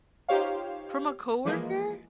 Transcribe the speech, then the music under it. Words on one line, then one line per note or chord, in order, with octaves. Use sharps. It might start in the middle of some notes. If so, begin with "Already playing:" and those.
From a coworker?
D#4 F4 G4 C5 C#5 F5
E3 F3 G#3 A#3